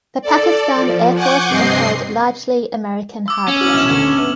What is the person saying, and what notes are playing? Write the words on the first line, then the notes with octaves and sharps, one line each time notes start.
The Pakistan Air Force employed largely American hardware.
A4 D5
F3
F#5 G#5 C#6 D6 G6
G2 C3 C4 D#5 C6 C7
D6 E6
C#4
E4 F#4 F#7
E1 A#1 F6 E7
D#1 D2
G1 B3